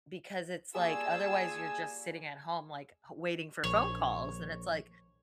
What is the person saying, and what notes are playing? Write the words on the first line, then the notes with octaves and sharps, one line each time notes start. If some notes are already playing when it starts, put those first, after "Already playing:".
because it's like otherwise you're just sitting at home like waiting for phone calls. And it's like,
G3 A#3 F4 G#4 G#5 A5 C#6 E6
A#1 C#5